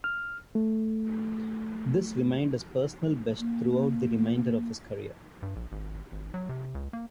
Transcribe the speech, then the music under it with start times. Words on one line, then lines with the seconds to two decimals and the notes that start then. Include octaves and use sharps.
This remained his personal best throughout the remainder of his career.
0.04 F6
0.55 A3
3.39 A#3
5.42 G2
5.56 A#1
5.72 G#1
6.12 G#1
6.34 F#3
6.49 C3
6.75 C#2
6.93 A#3